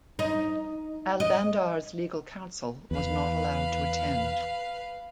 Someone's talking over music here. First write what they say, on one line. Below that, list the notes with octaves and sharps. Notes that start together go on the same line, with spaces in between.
Al-Bandar's legal counsel was not allowed to attend.
D#4
D#5
E2 B4 F5